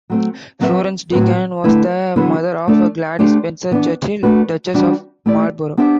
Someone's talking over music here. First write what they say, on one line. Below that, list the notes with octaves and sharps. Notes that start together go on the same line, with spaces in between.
Florence Deacon was the mother of Gladys Spencer-Churchill, Duchess of Marlborough.
F#3 A3 C4
F#3 C4 F#4 B4 E5
A2 F#3 C4 F#4 B4
D3 A3 E4 B4
D3 F#3 B3 E4 B4
A3 D4 A4 D5
A3 D4 G4 C5
E3 B3 D4
A3 D4 F#4 B4
E3 G3 D4 F#4
A3 E4 G4 D5
B3 D4 G4 C5 E5